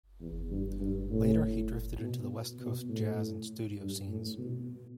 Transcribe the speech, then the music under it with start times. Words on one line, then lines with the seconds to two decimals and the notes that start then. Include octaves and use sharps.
Later, he drifted into the "West Coast Jazz" and studio scenes.
0.21 E2
0.50 G2
0.80 G2
1.11 A2
2.00 B2
2.60 B2
2.89 A2
3.79 G2
4.08 A2
4.38 B2